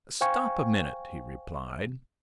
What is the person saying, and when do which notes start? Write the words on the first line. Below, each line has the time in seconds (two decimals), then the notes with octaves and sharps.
"Stop a minute!" he replied.
0.21 C5 F5 G5 G#5 C#6